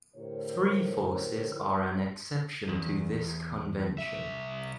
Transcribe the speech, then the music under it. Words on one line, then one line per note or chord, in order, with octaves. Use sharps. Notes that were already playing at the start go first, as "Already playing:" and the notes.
Three forces are an exception to this convention.
A2 D3 G4 A#4 C5 C#5
E2
C2 E5